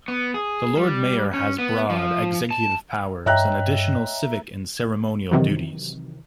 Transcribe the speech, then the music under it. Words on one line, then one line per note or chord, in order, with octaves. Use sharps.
The Lord Mayor has broad executive powers and additional civic and ceremonial duties.
B3
G#4
G3
C#4
B3
F3
A5
G2 C#5 D#5 E5 G5 A#5 F#6
C3 D#3 E3 F#3